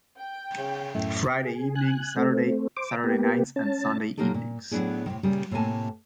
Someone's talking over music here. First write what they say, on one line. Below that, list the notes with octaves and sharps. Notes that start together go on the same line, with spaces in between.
Friday evening, Saturday, Saturday Nights and Sunday evenings.
G5
C#3
F#2 A2 A3
G#4
G#5 F#6
A3 C4
C5 D6
A#3 B3 G4
C#4 A5
A#2 F#3 A#3 D#4 G4 A4
A#2
A2 F#3 B3 D4 E4 G#4
A2 C3 D#3
A#2 C#3 G3
A2 C3 A3 A#3 G#5 A5